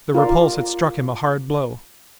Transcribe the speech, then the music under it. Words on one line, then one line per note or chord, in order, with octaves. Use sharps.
The repulse had struck him a hard blow.
F4 A#4 D5